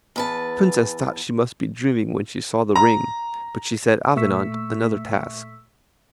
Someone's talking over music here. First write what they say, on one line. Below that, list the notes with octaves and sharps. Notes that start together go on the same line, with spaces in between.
The Princess thought she must be dreaming when she saw the ring, but she set Avenant another task.
E2 B4 A5
A#5
A#2 A3 E5 C#6 E6 B6